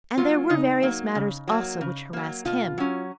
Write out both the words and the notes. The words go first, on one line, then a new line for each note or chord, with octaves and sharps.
And there were various matters also which harassed him.
F#3 A#3 F4
C#3 D#4
F#3 A#3
C#3
F#3 A#3
C#3
F#3 A#3
B2 F4
F#3 C#4